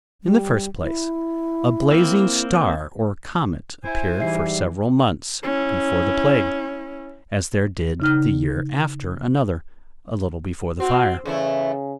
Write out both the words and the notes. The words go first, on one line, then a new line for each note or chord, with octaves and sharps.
In the first place, a blazing star or comet appeared for several months before the plague, as there did the year after another, a little before the fire.
G3
E4
A#3 C4
E4 C5 G#5
G#2 E3 G3 D#4 E5 C7
C#4 E4
C#3 D#4 F6
C4 F#4
E2 C#3 A3 E4